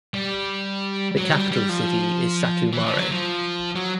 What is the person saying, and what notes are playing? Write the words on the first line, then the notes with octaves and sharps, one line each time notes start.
The capital city is Satu Mare.
G3
F#3
G3
G3
F3
E3
F3
F#3
F3
F#3